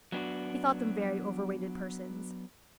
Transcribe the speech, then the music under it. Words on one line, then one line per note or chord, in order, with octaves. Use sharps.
He thought them very over-rated persons.
F#3 B3 D4 F#4